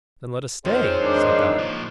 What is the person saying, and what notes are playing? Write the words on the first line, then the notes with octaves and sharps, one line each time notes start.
"Then let us stay," said Dot.
F2 F3 C4 D#4 G#4 C5 C#5 D#5
G#2 D#3 D4
A#2 F3